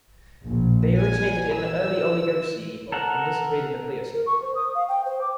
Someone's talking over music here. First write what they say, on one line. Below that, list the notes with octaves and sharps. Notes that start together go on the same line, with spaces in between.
They originated in the early Oligocene epoch and disappeared in the Pliocene.
A#1
G#5
E6
A4 A#4 F#5
A#4
C#6
C5
D#6
F5
G5
C5
D6